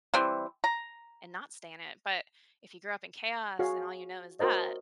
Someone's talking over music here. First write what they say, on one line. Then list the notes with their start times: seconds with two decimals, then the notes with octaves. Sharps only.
and not stay in it, but if you grew up in chaos and all you know is that
0.14 E3 G3 C4
0.64 A#5
3.59 F#4 G#4 C#5 F5
4.39 F#4 A#4 C5 C#5 D#5